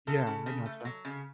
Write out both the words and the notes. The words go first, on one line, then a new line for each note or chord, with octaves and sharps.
Yeah, I gotcha.
C#3 A4
C#3
C#3
A3
F#3
C#3